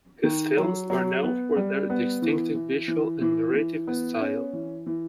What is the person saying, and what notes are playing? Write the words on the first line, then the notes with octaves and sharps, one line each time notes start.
His films are known for their distinctive visual and narrative style.
D#3
F#3
F#3
B3
G3
B3
E3
E3
E3
E3
E3
B3
C#4
E3
E3